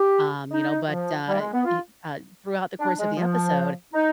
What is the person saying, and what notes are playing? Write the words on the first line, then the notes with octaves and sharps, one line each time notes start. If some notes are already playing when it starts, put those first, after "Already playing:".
um, you know, but, uh, he, uh, throughout the course of the episode,
Already playing: G4
D#4
F3
G3
G#3
B3
F4
D4
G#3
F3
D#4